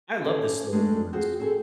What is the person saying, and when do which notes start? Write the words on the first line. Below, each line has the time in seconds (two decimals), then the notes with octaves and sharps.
I love the slow burns.
0.24 C#4 G4 A4 C5
0.72 G#3 A3 C4 D4
1.13 C4 F4 F#4 G#4 C5
1.40 C4 F#4 G#4 A4